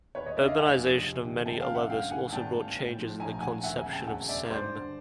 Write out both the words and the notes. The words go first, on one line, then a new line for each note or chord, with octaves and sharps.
Urbanization of many Alevis also brought changes in the conception of cem.
D#2 B4 C#5
C#5 D#5
D3 D5 E5
D#5 F5
F1 F#5 G#5
F3
C3
D#3
C#2 G5 A5
F5 G5
C#2
E5 F#5
G2 F5 G5
D#3 F#5 G#5
G#1 G5 A5
G#1
A2
F3
A#1 G#5 A#5
A#1 F#5 G#5
D#2 E5 F#5
G#5 A#5
C#3
G5 A5
E1 F#5 G#5
E1 D5 E5
G2 C5 D5
D3